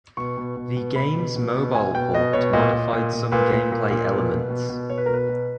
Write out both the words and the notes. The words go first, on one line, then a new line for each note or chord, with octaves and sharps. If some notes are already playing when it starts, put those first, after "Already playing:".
The game's mobile port modified some gameplay elements.
B2 C#6
B2
B2
B2
B2 B5
B2
B2
B2
B2 G#5
B2 G5
B2 D#5
B2 C#5
A#2 D#5
A#2
A#2
A#2
A#2 B4
A#2
A#2
A#2
B2
B2
B2
B2
B2 C#5
B4
B2 A#4
B4
B2